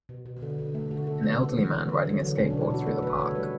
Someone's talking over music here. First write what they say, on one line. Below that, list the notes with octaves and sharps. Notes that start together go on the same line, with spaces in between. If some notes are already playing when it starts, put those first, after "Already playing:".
An elderly man riding a skateboard through the park.
B2
B2
D3
D3
A3
D3 F#4
D3 A4
D3 B3
C#3 B3
E3
C#3
D3
F#3
D3
B2 C#4
D4
B2
E4
B2 F#4
A3 A4
C#3 B4
C#3 C#5
G3 B4